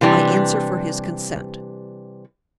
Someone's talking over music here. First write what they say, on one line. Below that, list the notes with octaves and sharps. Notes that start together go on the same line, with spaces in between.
"I answer for his consent."
C3 E3 G3 D4